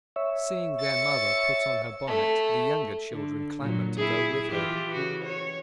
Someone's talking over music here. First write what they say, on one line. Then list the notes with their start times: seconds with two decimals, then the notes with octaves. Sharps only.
Seeing their mother put on her bonnet, the younger children clamoured to go with her.
0.16 C#5 E5
0.80 A6 C#7
2.07 A3
3.11 D3
3.60 A#2 F#3
3.97 E4 G#4
4.52 E3 F4 G4
4.92 C#3 F#4
5.25 C#5